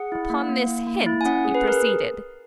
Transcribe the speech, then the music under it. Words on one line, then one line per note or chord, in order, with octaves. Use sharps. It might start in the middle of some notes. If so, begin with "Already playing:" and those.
Upon this hint he proceeded.
Already playing: G#4 F#5
E4
A#3
A#3
E4
A#3
E4
G#5
C#4 F#5
G#4
B4
G#4 A#4